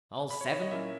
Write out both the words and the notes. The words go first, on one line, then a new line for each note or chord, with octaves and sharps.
"All seven?"
B5
C#5
C#5
D#5
A#2 A#3 C#4 E4 E5